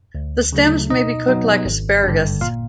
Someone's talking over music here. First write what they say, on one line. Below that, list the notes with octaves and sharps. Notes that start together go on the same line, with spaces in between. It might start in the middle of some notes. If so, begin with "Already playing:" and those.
The stems may be cooked like asparagus.
D2
C#3 F#3 A3
B2 D#4 D#5
F#3 B3 D#4
G#1
G2 D3
A#2 F4 F5